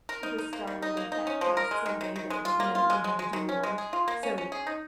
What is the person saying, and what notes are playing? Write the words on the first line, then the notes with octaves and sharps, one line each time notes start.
The star one, they pa passed something that you meant you had to do more. So,
A#4
D#4
D#4
A#3
D#3
D#4
A#3
D#4
C#4
F3
A#4
G#3
D#3
D#3
D#3
G#3
F4
A#3
F4
G#3
G#3
G#3
D#3
C#4
G#3
G#4
F4
A#3
C#4
C#4
G#4
D#4